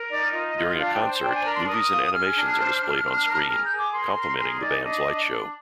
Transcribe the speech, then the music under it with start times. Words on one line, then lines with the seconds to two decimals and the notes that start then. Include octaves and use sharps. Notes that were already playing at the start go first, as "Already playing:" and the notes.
During a concert, movies and animations are displayed on-screen, complementing the band's light show.
Already playing: A#4
0.10 D#4 D5
0.32 F4 D#5
0.55 F4
0.78 D4 F5
0.93 G5
1.01 C5
1.23 D4 G5
1.34 G#5
1.45 A#4 A#5
1.56 C6
1.67 A#4 D#6
1.91 F4
2.13 G#4 F6
2.35 D4
2.58 C5
2.80 D4
3.03 D4
3.25 A#4
3.47 G#4 F6
3.63 G6
3.70 G#4
3.77 D6
3.93 A#4 C6
4.15 A#4
4.37 G#4 C6
4.60 D#4 D5
4.82 D4 D#5
5.05 D4